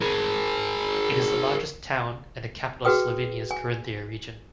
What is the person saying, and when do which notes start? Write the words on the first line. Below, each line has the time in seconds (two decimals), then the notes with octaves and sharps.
It is the largest town and the capital of Slovenia's Carinthia region.
0.01 G#4 A#4
2.85 F#4 G#4 B4 G5 D#6
3.51 G#5